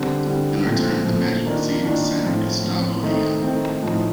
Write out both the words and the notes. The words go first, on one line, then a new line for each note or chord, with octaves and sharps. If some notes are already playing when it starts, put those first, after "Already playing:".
In return the Magic received center Gustavo Ayon.
Already playing: D3 G3 C4
D3 G3 C4
A#2 F3 A3 C4
A#2 F3 A3 C4
D#3 A#3 D4 F4
D#3 A#3 D4 F4
A2 F3 C4 F4
A2 F3 C4 F4
D#3 A3 C4 D#4
D#3 A3 C4 D#4
A2 F3 C4 D#4